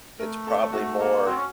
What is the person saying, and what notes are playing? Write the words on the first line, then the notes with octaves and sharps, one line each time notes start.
it's probably more
A3 A#4
A4
A3 F#4
A#3 A4
C4 F#4
C#4